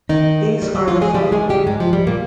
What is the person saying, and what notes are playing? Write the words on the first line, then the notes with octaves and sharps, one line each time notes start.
These are the following.
D#3 D#4
G3
G3
F3 F4
G#3 G#4
G3 G4
G#3 G#4
G3 G4
G#2 G#3
F3
G3
A#2 A#3